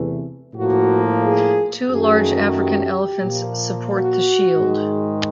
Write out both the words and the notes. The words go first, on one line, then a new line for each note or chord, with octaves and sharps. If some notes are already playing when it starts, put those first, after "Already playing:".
Two large African elephants support the shield.
Already playing: E2 C3 E3 A3
A2 F3 A#3 F#4
G#4
F#2 D#3 F#3 A3 G#4
G4
A#2 F3 A#3
F#4
G#2 D#3 G#3